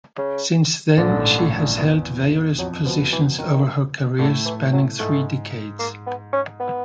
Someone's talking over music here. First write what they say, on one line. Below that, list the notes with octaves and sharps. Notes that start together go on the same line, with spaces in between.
Since then she has held various positions over her career spanning three decades.
C#3
A#1 A#2 D3
G#2
A1 A2
A1 A2
A#1 A#2
E2 E3
F2 F3 F#3
B2 F3 B3
E3
D#3
A2 D3 A3
E3
F#3
G#2 G#3 A3
A#3
B3
C#4
B3